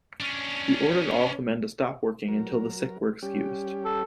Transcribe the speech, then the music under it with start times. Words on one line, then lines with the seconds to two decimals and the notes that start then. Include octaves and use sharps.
He ordered all of the men to stop working until the sick were excused.
0.20 C#4 D4
2.28 F#3 A#4
3.23 G3 C#4 G4
3.85 A4